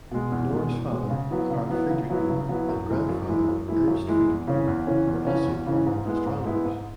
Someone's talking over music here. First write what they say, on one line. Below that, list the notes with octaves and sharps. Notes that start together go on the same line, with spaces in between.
Knorre's father, Karl Friedrich Knorre, and grandfather, Ernst Friedrich Knorre, were also prominent astronomers.
B2 G#3
E2
B2 G#3
E2
B2 G#3
C#3
F#3 B3 E4
C#3
F#3 B3 E4
C#3
F#3 B3 E4
C#3
F#3 B3 E4
F#2
E3 G#3 E4
F#2
E3 G#3 E4
F#2
E3 G#3 E4
F#2
E3 G#3 E4
E2
C#3 E3 C#4
E2
C#3 E3 C#4
E2
C#3 E3 C#4
E2
C#3 E3 C#4
G#2
G#3 B3 E4
G#2
G#3 B3 E4
G#2